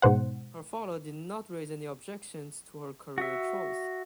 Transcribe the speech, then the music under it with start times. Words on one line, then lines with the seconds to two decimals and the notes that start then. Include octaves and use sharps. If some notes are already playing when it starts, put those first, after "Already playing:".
Her father did not raise any objections to her career choice.
0.02 G#2 B2 C5 F#5
3.18 F#4 E5